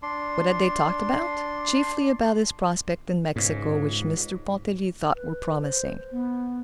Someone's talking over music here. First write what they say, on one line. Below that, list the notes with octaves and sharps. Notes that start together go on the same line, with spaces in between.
What had they talked about? Chiefly about his prospects in Mexico, which Mr. Pontellier thought were promising.
D4 C6
C#2 G#2
B4
C5
B3